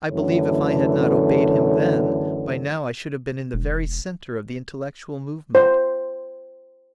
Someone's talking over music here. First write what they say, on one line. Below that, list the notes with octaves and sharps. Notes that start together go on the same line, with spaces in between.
I believe if I had not obeyed him then, by now I should have been in the very centre of the intellectual movement.
F#2 D3 E3 A3 A4 C#5
E1
C5